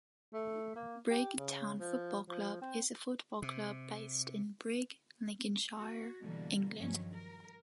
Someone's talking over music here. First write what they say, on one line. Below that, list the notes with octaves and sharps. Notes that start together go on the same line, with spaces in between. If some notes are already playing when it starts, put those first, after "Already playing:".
Brigg Town Football Club is a football club based in Brigg, Lincolnshire, England.
A3
A#3
G4
C#3
F3
F3
C4
C3
F#4
B2 D3 E3 G3 A#3
G2 D#3 F3 F#3 C#4
A#4